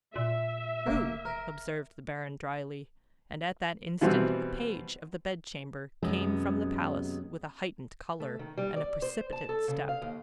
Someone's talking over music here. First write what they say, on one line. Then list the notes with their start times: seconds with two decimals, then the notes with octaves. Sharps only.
"True!" observed the Baron, dryly, and at that instant a page of the bedchamber came from the palace with a heightened color, and a precipitate step.
0.16 A#2 E5
0.86 F1 A#3
1.25 A#4
4.01 B2 E3 G3 C4
6.03 F#2 C3 D#3 G#3 B3 C#4
8.20 A3
8.39 D#3
8.58 G3
8.76 D5
9.02 C5
9.33 A5
9.49 A4
9.68 C#3
9.89 F5
10.02 D#2